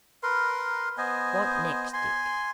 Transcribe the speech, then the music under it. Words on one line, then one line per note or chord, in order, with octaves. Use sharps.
"What next, Dick?"
A#4 B4 C6
B3 C5 D#5 G#5
G#5 C6